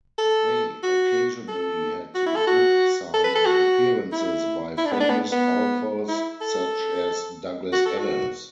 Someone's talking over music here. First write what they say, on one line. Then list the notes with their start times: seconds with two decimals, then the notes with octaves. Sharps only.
They occasionally had book signing appearances by famous authors such as Douglas Adams.
0.18 A4
0.83 F#4
1.48 A4
2.15 F#4
2.26 E4
2.36 A4
2.47 F#4
3.14 A4
3.24 B4
3.35 A4
3.46 F#4
4.12 E4
4.77 E4
4.85 D4
4.92 B3
5.00 D4
5.10 B3
5.32 B3
6.08 E4
6.41 A4
7.72 F#4
7.85 A4
7.98 F#4